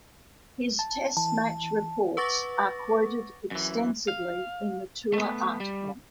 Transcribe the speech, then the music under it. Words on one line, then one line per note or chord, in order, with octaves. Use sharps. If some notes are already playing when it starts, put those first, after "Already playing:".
His Test match reports are quoted extensively in the tour article.
A5
E3 A5
B4 F#5 C#6 D6 A6 A#6
F#2 E3
F5
A3 B3
G3